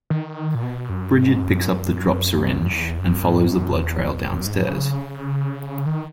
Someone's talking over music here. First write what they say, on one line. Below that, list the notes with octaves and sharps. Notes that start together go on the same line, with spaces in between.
Brigitte picks up the dropped syringe and follows the blood trail downstairs.
D#3
A#2
B2
F#2
G#2
F#2
E2
F#2
G#2
F#2
E2
F#2
G#2
C#3
D#3